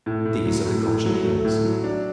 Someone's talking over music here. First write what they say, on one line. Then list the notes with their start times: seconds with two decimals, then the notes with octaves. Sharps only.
These are the Cochineals.
0.06 A2
0.26 A2
0.45 F#3
0.66 A2
0.86 A2
1.06 F#3
1.25 A3
1.45 A2
1.65 F#3
1.84 D4